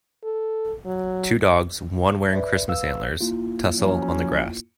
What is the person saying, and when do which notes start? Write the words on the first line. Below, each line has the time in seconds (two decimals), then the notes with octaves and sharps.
Two dogs, one wearing christmas antlers, tussle on the grass.
0.24 A4
0.86 F#3
2.33 B4 D5 E5
2.68 B4 F5 E6
3.21 A#3 E4 F4
3.79 F3 F#3 C#4